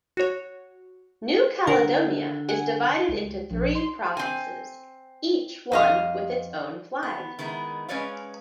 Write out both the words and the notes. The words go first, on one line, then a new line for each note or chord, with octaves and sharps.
New Caledonia is divided into three provinces, each one with its own flag.
F#4 C#5
D3 A#4 F#5
F#5 G#5
C#2
A#1
C6
C4 G#5
F2 D#5 F5
B3
D#3 G#3 B3 E4
G#3 C#4 B4 C#5 D5 F5